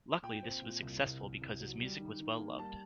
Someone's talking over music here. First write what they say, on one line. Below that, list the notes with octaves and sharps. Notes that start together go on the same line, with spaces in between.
Luckily this was successful because his music was well loved.
A#2 G5
C4
A#2
C2
C2
C2
C2
F#3
G3
D#3
D#3
A#3
G3 A5